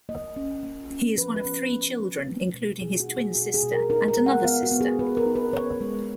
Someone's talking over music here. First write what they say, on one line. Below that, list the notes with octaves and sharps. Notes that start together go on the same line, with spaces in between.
He is one of three children, including his twin sister, and another sister.
A#3 D#5
C#4
A#3
C#4
F3 B4
B4
C#4
C#4
A#3
G#3
B2
B2 G#4
F#4
D#4
G#4
B2 F#4
G#4
B2
A#4
D#4 A#4
A#4
G#3
F#5
B3 F5
F#4
B3
G#4
B3 B4
A#4
D#4
B4
B3 C#5
G#3